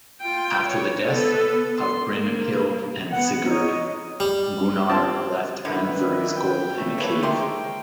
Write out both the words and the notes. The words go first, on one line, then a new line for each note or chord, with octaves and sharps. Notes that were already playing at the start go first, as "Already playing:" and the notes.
After the deaths of Brynhild and Sigurd, Gunnar left Andvari's gold in a cave.
F4 G5
C#5
B3 A4
C6
A#3
B3 F#5
D#4 C#5 D#5
G3
C4 F4 A5
D3 D#3 E4 B4
D4
G5
A3
A#3 A4 B4 C#5
C3 G#3 A#4 G5 C6